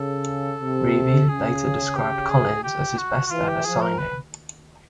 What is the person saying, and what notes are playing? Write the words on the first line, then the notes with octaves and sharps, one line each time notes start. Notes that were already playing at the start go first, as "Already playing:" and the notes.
Revie later described Collins as his best ever signing.
Already playing: C#3 A4
C3
C#3 G#4
G4
G#4
G4
F#4
F#4
E3 F4
G4
F3 G#4
A#4
B4